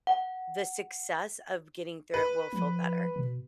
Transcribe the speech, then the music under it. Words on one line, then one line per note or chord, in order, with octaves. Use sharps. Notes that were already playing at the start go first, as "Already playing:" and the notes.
the success of getting through it will feel better.
F#5
B4
F3
B2